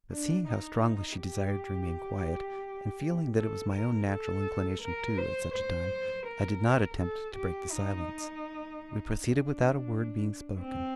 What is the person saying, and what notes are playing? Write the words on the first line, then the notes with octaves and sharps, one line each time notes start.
But seeing how strongly she desired to remain quiet, and feeling that it was my own natural inclination too, at such a time, I did not attempt to break the silence. We proceeded without a word being spoken.
D4
D#4
G4
A4
A#4
A4
A#4
C5
C5
A#4
A4
G4
D#4
D4
C4